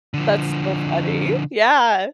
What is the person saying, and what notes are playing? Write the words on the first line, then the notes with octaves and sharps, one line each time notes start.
That's so funny, yeah,
D3 F3